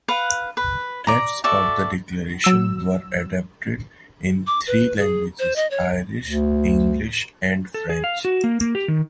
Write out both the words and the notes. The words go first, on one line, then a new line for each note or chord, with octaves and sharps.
Texts of the declaration were adopted in three languages: Irish, English and French.
B4 F5 F#5
B4
D5 A#5
F#4 A4 D5 E5
F#3 E6
D6
B4
G#4
C5
D#5
C#5
D2
A4
G#4
F5
F#4
A#3
A#3
G4
D#3